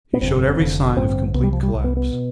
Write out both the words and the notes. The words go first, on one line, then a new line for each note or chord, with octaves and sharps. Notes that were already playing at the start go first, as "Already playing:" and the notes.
He showed every sign of complete collapse.
B3
G1 F2 D3 C4
F1 F2 D3
A1 G2 D3 C4
C2 C3 B3
G3
F3
G3
C2 C3
B3
B3
B2